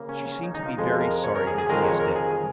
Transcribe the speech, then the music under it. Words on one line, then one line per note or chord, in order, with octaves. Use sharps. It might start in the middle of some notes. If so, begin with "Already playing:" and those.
"She seems to be very sorry that he is dead."
Already playing: C#3 A#3
C#4
C#4
D#4
D#4
F4
F2 F3 G#3
A#4
C#5
A#4
G#4
G#4
F2 D#3 G#3 A#4
C#5
A#4
G#4